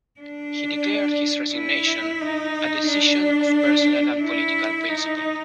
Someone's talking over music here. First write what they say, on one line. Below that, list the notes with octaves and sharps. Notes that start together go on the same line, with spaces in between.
He declared his resignation a "decision of personal and political principle".
D4
E4
D#4
D4
E4
D#4